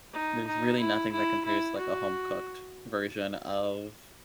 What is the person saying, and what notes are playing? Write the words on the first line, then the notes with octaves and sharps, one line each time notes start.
there's really nothing that compares to, like, a home cooked version of
D#4
D#4
E4
E4
E4
F#4